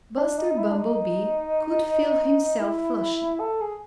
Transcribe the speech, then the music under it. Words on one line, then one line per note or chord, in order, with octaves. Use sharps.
Buster Bumblebee could feel himself flushing.
D4
D#4
D#4
E4
D4
D#4
E4
A4
G#4